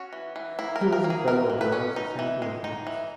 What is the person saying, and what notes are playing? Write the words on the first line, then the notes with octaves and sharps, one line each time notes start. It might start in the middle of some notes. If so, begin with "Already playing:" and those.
He was a Fellow of the Royal Society of Arts.
Already playing: C#4 F#4
E3
E3
A#3 E4
A#4
E3
A#4
A#3
G#4
E3 A#4
E3
B4
C#4
D#4
E3
G#3
D#4
E3